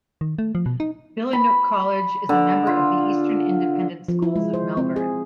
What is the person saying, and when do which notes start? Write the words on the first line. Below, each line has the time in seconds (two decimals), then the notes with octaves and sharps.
Billanook College is a member of the Eastern Independent Schools of Melbourne.
0.21 D#3
0.39 A3
0.55 F3
0.66 B2
0.80 D#4
1.33 B5
2.29 D3
2.67 F4
4.08 F3
4.22 E4
4.36 G#3
4.54 C5
4.77 C4
4.96 G#4